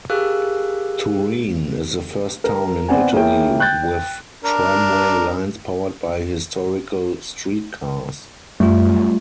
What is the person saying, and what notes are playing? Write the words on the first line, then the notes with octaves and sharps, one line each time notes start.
Turin is the first town in Italy with tramway lines powered by historical streetcars.
G4 G#4 A#4 F5 E6 F#6
A#4
B3 C4 D5 F#5 G#5
A#3 E4 G#4 C#5 G5
G5 F#6 G6 A6
D4 A#4
F#2 G3 A3 F4